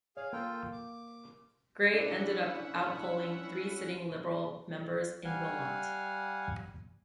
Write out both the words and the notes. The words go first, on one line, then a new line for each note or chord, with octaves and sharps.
Gray ended up out-polling three sitting Liberal members in Wilmot.
G#4 C#5 F5
A#3 F4 A4 G5
D6
C#4 D4 E4 D5 E5 F#5
G3 F5 F#5 G#5